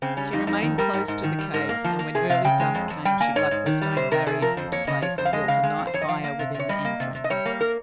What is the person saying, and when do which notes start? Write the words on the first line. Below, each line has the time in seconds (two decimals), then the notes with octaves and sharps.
She remained close to the cave, and when early dusk came she lugged the stone barriers into place and built a night-fire within the entrance.
0.02 C#3 C4
0.17 G3 C#4
0.33 F2 D#4
0.47 F2 D#4
0.62 D#3
0.78 G3 A#4
0.93 G#2
1.08 G#2
1.23 D#3
1.39 G3
1.54 G#2 A#4
1.69 A#3
1.84 F3
1.99 A#3
2.15 C3 G#4
2.30 C3 F5
2.45 C#3 G5
2.60 G#3
2.75 F2
2.90 F2
3.05 G3 G5
3.20 A#3 G#5
3.36 G#2 C#5
3.51 G#2
3.66 D#3
3.81 G3
3.96 C3 C5
4.11 C3 A#4
4.27 C3 G#4
4.42 F3 A#4
4.57 F2 C5
4.72 A#3 C#5
4.87 C#3 D#5
5.02 F3 C#5
5.18 F2 C5
5.25 F5
5.33 G#3 D#5
5.48 C#3 F5
5.63 G#3
5.78 F2
5.87 C5
5.94 F2 C#5
6.02 D#5
6.08 F3 F5
6.24 A#3
6.39 C3
6.54 C3
6.59 C#5
6.69 G3 D#5
6.85 A#3
7.00 C3
7.15 C3
7.24 D#5
7.30 G3 C#5
7.46 A#3
7.61 A#4